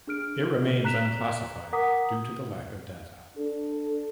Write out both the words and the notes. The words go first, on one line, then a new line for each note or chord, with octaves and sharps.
It remains unclassified due to the lack of data.
D4 G#4 F6 D7
A#5 F#6 B6 E7 F7
A#4 F#5 A#5 D6 D#6 B6
D4 A4